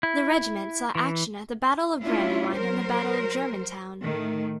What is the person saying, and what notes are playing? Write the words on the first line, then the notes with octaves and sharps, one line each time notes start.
The regiment saw action at the Battle of Brandywine and the Battle of Germantown.
E4
E3
A3 C#4 D4 E4 F4
F#3 A#4 C5
A2 D#3 A3